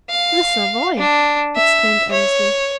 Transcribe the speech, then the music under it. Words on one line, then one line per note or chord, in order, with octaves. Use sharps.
"The Savoy!" exclaimed Annesley.
F5
D4
E5
C#5